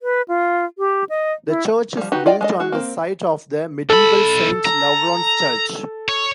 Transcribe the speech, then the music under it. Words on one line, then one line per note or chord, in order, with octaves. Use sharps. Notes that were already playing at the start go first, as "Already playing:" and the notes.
The church is built on the site of the medieval Saint Lavrans Church.
B4
F4
G4
D#5
E4
F3 G3
D#4 F#4 G4 B4
F4 D5 D#5 G5
G#3 A4 D#5
G#3 F#4
A#3 C4
B1 A4 B5
A#5
C#5